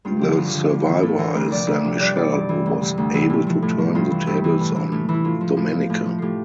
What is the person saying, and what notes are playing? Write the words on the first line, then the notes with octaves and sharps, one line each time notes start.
The survivor is then Michele who was able to turn the tables on Domenica.
G2 F4
D3 F3 G4
F4
G2
D3 F3
A2 F4
E3
A2 A4
E3 A#4
D2 C5
C3 F3 D5
D2 E5
C3 F3
G2 D5
E3 D5
G2
E3
D2
C3 E3
D2
C3 E3
A2
F3
A2
F3
G2 F4
E3
G2 E4
E3
A2
E3
A2
E3
E4
A2 F4
F3
A2
F3
A2
F3
A2 F4 G4